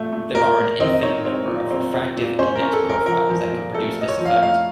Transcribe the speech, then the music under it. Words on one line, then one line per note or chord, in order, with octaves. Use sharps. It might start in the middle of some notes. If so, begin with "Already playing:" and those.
There are an infinite number of refractive-index profiles that can produce this effect.
Already playing: A#2 A3
A3
A#2 A#4
A#2
C4 D#5
D#5
D#4 C#5
C4
A#2
C4
C4
A#2
C#4 C5
A#4
C#4
A4
C#4
A#4
F3 A#4
F3
A#2
A3 A4
A3 D#5
C#5
F3
F5
A3 F5